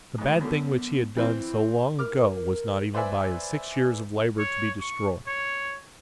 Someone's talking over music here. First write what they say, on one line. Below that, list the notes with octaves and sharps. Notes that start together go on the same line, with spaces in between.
The bad thing which he had done so long ago was not even by his six years of labour to be destroyed.
D2 G#2
F#2 D3 B3
E3 C4 E4
A#4 D6 F6
B4 C5 D5 E5 G#5
C#5
C#6
C#5